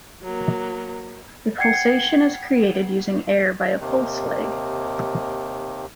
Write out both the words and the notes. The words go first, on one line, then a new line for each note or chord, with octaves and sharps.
A pulsation is created using air by a pulse leg.
F#3 A#3
F#5 G5 G#6 C7 C#7
D#2 C3 D#3